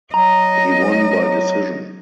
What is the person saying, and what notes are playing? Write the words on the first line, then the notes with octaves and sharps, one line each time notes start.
He won by decision.
F#3 D#5 A#5